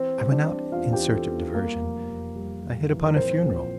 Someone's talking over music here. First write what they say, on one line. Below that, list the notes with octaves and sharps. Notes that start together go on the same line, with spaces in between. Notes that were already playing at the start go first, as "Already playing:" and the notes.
I went out in search of diversion, I hit upon a funeral.
Already playing: E3 C4 C5
G3
D4 D5
E3
E2 F4 F5
G4 G5
E3
A4
E2
G3 A#3 A#4
F1
F1
G3
G3
E3
A#4
A#1 C4 C5
A#1